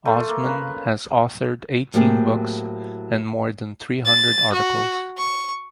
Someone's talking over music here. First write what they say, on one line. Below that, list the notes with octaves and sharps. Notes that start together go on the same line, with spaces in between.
Osman has authored eighteen books and more than three hundred articles.
A3 F4
A#3
C#3 C#4 A#4 B4
A2 F#3 A#3 C4 G4 G#4
A6
F#4
C#6